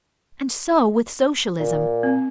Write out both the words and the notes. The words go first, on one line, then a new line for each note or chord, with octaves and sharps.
And so with Socialism.
A#2
C4